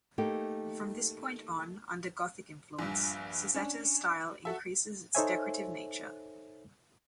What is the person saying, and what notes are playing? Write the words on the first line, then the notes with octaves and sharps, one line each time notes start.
From this point on, under Gothic influence, Sassetta's style increases its decorative nature.
A3 A#3 D#4 G4
A#1 G2
C#4 D4
F#4 A4 E5
D#4 A4 C5 C#5 E5 G#5